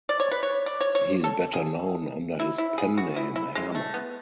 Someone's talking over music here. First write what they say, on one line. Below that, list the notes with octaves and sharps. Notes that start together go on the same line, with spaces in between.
He is better known under his pen-name Hermann.
D5
C#5
B4
C#5
D5
C#5
C#5
A4
G#4
E4
E4
G#4
F#4
E4
E4
G#3
A3
B3